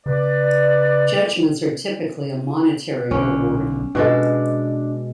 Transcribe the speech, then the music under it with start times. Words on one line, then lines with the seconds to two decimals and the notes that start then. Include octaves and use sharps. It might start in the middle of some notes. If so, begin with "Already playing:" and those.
Judgments are typically a monetary award.
0.06 C#3 B4 D5
3.11 B1 D3 C#4
3.95 B2 G#3 D4 A4